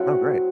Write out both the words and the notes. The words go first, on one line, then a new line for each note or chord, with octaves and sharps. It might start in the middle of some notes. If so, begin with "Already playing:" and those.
Oh, great.
Already playing: F#3 A3 C4 E4 D5 E5 F#5